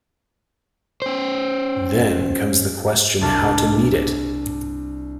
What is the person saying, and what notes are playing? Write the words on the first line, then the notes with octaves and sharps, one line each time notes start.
Then comes the question how to meet it.
C#4 C5
C2 D4 A5 F6